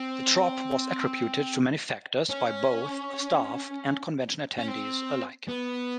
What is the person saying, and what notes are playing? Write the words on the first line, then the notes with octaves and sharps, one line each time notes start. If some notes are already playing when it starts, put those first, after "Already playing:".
The drop was attributed to many factors by both staff and convention attendees alike.
Already playing: C4
C#4
C#4
C4
B3